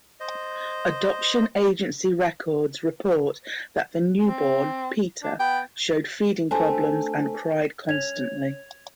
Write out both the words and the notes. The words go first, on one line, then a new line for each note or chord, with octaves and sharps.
Adoption agency records report that the newborn, Peter, showed feeding problems and cried constantly.
C5 D#5
C4
D4
B3 G5
A3 C4 D4 A4 G#5 A5
C#4 G#6 F7